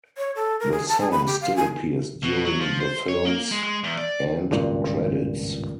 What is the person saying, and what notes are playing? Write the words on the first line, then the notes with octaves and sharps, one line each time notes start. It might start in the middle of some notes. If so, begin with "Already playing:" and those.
The song still appears during the films end credits.
C#5
A4
A#4
G#4
A5
G#4
B5
G4
F5
G#5
B2
F#3
F3
C5
C#5
A#3
G#3
G#3
E2
D5
G#1 C#2 G2 A#2